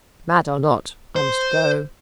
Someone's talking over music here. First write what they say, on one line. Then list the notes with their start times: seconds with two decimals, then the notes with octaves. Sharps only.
"Mad or not, I must go."
1.16 C5